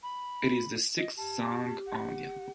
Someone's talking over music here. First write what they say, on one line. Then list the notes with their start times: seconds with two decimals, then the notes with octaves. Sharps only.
It is the sixth song on the album.
0.03 B5
0.97 D#5
1.18 G4 A5
1.86 F#5